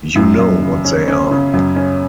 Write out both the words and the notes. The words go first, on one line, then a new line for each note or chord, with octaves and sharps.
You know what they are.
F#2
F#2
C#3
C#4
C#4
C#3
F#2
C#4